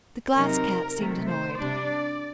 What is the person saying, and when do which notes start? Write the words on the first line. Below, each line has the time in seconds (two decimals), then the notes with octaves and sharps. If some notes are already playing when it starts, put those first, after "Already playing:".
The Glass Cat seemed annoyed.
0.36 C3 F#3 C4 D#4 A#4
0.97 C3 D#3 A3
1.28 C5
1.58 C3 G3 D4 D5